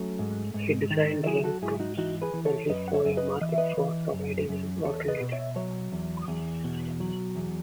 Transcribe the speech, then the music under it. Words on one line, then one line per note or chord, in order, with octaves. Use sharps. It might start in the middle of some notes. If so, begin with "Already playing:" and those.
He designed Ring Pops when he saw a market for providing an alternative.
Already playing: F#3 A3 C#4
G#2
G#2
D#3
F#3 E4 G#4
F#4 A4
G#2 E4 G#4
D#4 F#4
E3 D#4 F#4
G#4 B4
E3
A4 C#5
F#2 B4 D#5
F#5
C#5 E5
F#2
B4 D#5
E3 D#5
E5
B4 D#5
E3
F#2
F#2
E2 A4 C#5
B4 D#5
B2
C#5 E5
F#3 C#5 E5
E2
E2
B2
F#3
E2